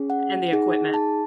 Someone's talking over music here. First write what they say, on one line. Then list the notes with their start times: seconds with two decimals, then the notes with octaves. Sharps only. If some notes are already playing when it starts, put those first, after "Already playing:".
And the equipment.
Already playing: C#4 G#4
0.10 F#5
0.52 D#4 G#4
0.94 A5